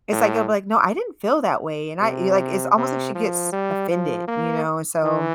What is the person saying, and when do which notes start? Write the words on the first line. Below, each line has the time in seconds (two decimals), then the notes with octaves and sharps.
it's like, it'll be like, "No I didn't feel that way," and I y like it's almost like she gets offended, you know, and so
0.13 A2
2.01 C3
2.77 C3
3.15 F3
3.52 G3
3.90 F3
4.28 A#3
5.04 E3